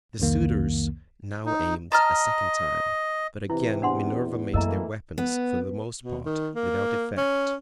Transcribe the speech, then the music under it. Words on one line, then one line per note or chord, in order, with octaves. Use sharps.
The suitors now aimed a second time, but again Minerva made their weapons for the most part without effect.
C2 F2 D#3 A#3
D#4
D#5 A5 A#5 F6
C3 E3 E4
E2 D4 F#5 C6
F#2 E3 A3 A#3 A#4 D#5 A#5
B3
B2
D#3
A#3
C#4